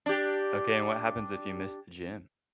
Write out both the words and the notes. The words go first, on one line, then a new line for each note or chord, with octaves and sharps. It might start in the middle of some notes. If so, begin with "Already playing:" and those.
Okay, and what happens if you miss the gym?
D4 G4